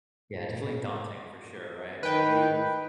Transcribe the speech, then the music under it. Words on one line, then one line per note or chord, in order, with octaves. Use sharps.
Yeah, definitely daunting for sure, right? Like you
D#3 B4 G5